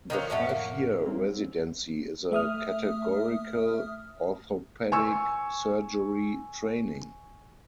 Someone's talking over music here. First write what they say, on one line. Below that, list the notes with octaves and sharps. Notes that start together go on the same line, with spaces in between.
The five-year residency is a categorical orthopedic surgery training.
D#3 F3 F#3
F2 A2 F#3 A3 C#4 F#5
A#3
G3 C4 C#4
A3 E5 D#6 F6
G#5 C#6 E6